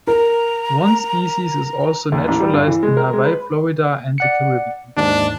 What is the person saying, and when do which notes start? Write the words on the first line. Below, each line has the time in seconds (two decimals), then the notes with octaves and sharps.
One species is also naturalized in Hawaii, Florida, and the Caribbean.
0.07 A#4 A#5
2.12 D#2
2.28 A1
2.40 G3
2.53 G2
2.68 E3
2.83 G#3
2.97 A#4
3.13 G#3
3.25 B4
4.18 D5 F#5 C#7
4.97 D#2 G#2 D4